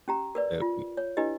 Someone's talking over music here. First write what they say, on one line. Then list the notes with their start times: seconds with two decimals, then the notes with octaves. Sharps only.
That'd be
0.08 C#4 G4 A#5
0.35 A#4 B4 D5
0.62 F4
0.97 C#5
1.17 D4 E4 G4 B4 D#5